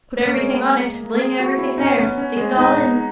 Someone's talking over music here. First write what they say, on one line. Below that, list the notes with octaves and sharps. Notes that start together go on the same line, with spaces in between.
Put everything on it, fling everything there, stick it all in.
A#3 C#4
G#3
A#3
A#3
G#4
F#4
E4
C#4 D#4
B3
C#4
G#3
B3 D#4
D#4